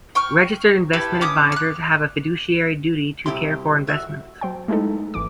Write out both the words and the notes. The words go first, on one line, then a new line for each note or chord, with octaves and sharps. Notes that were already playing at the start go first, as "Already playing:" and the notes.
Registered investment advisors have a fiduciary duty to care for investments.
G5 C#6 F6
E4 G4 A4 B4
C#4 D6 D#6
F6 F#6
C2 F#2 E4 G4 C6
D2 F#4 E5
F#3 C5 G5
G#3 A3 D#4 E4 A4
G#1 E3 D6